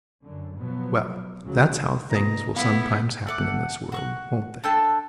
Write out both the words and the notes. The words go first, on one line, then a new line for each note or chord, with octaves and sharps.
Well, that's how things will sometimes happen in this world, won't they?
F#2 D3
B2 F3 F#3 B3
C#2 C#3 F#3
F1 A#2 A#5 D#6
B3 E4 F5 B5
A3 F#5 D6
F#4 C#6 F#6
D4 A4 G5 A5